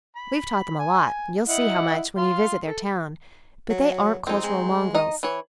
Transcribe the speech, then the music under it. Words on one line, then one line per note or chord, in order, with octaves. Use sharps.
We've taught them a lot--you'll see how much when you visit their town--but they aren't cultural mongrels.
B5
G#5
E4 D#5 F#5
F5 C6
A4
F#3
F2 C4 D#4
G#3
D#4 D#5
E3 C#5